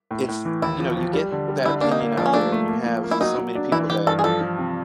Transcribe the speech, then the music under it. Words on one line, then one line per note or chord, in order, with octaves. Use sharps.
it's you know, you get that opinion out there and you have so many people that
A2
A2
E3
D#2 E4
F3
F3
G3
D3
G3
D3 E4
A#3 D4
D#4
A#3
F3 D4
C#4
A3 D4
A3
A#3
F3
A#3
E4
F#3 D#4
F#3
D4
E3 E4
E3 G4
G2 A4
G#4
F3 A4
F3
C3